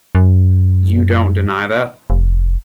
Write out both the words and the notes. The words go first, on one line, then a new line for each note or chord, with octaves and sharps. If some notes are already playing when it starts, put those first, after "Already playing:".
You don't deny that.
F#2
F1